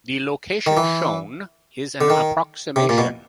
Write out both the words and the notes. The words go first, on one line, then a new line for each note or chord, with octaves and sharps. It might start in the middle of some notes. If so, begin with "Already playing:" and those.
The location shown is an approximation.
D#3
E3
D3
D#3
C3
A#2
B2